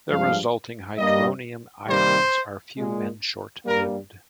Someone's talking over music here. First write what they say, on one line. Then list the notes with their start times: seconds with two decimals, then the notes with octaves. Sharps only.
The resulting hydronium ions are few and short-lived.
0.09 G2 F3 G#3 F5
0.97 G2 G3 A#3 D#5
1.86 C3 D#3 G3 A#3 C5
2.77 A#2 G#3
3.65 G2 G3 A#3 A#4